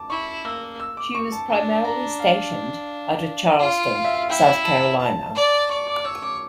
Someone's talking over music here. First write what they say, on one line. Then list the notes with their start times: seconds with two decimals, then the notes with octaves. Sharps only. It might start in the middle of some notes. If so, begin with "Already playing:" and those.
She was primarily stationed out of Charleston, South Carolina.
Already playing: A5 D6
0.10 E4 C#6
0.45 A#3 E6
0.80 E6
0.97 D6
1.15 C#6
1.32 A5
1.49 D4 A5
1.85 A#5
2.19 F5
3.59 F4 F5
3.95 F5
4.05 E5
4.14 F5
4.29 E4 G5
4.65 A5
5.00 A5
5.35 D5
5.70 D5 C#6
5.87 D6
6.05 C#5 E6
6.22 D6